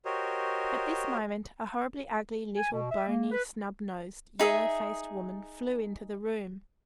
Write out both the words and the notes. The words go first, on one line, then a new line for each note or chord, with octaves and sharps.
At this moment a horribly ugly, little, bony, snub-nosed, yellow-faced woman flew into the room.
F#4 G4 A#4 C5 C#5 D#5
G#5
B2
E5
A#3
B4
D#4 G#4 E5